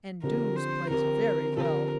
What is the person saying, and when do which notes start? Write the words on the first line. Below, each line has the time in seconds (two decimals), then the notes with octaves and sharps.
And Doos plays very well.
0.23 D3 F3 C4 G4 A#4
0.56 C5
0.90 D3 F3 C4 G4 A#4
1.56 D3 F3 C4 G4 A#4